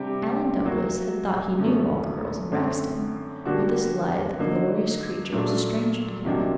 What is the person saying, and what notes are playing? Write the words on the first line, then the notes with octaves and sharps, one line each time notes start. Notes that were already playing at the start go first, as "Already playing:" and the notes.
Alan Douglas had thought he knew all the girls in Rexton, but this lithe, glorious creature was a stranger to him.
Already playing: C3 G3 D4 G4
F#3 A#3 F#4
F#2 D3 A3
F#2 D3 A3 C4
D3 G3 A#3 D4 F#4
D3 F#3 A#3 D#4
A#2 F#3 A3 D4
C3 D#3 F#3 A#3 D4